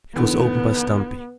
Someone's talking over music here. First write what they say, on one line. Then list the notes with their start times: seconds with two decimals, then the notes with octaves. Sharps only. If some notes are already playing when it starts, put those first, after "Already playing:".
It was opened by Stumpy.
0.16 E2 D3 D#3 B3